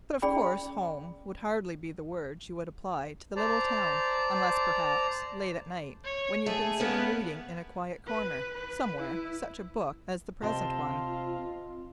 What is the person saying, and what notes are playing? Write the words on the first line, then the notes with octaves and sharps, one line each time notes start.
But of course "home" would hardly be the word you would apply to the little town, unless perhaps, late at night, when you'd been sitting reading in a quiet corner somewhere such a book as the present one.
C#4 G#4 D5 G5 B5
C5 D5 A5 A#5
C#5
A3 G#4
A#3 B3 C#4
B4
B4
E4
C3 C4 F4 A4 D#5 A5 C6